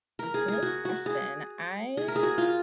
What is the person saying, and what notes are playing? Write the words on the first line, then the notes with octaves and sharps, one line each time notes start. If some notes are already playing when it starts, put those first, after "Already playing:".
a good question, I
A#4
G#4
G#4
F#4
F#4
G#4
G#4
A#4
G#4
F#4
F4